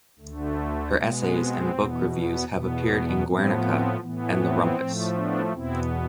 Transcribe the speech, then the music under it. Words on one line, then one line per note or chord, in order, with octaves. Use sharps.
Her essays and book reviews have appeared in Guernica and The Rumpus.
D2 D3 A3
B2 G#3 B3
C4
E2 B2 B3
B3
E2 B2 B3
A2 F3 B3 C4
C4
A2 E3 B3
C4
A2 F3 A3
B3 D4
E2 B2 B3 C4 E4